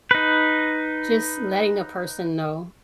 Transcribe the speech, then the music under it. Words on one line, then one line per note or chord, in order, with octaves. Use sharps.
just letting a person know.
D#4 B4